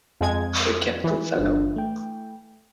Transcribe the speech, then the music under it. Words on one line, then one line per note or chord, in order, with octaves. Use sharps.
A capital fellow!
F2 G#3 G#6
E3
G1 D4 F4
A3 G5